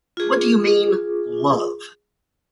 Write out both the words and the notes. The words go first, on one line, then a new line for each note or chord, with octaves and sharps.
What do you mean 'love'?
F4 G#4